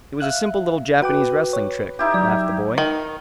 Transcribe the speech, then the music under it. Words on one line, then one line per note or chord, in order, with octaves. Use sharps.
"It was a simple little Japanese wrestling trick," laughed the boy.
E5 F5 F#6
F#4 B4 G5 D6
C#5
D#4 E4 G4
F#3 D5
D#3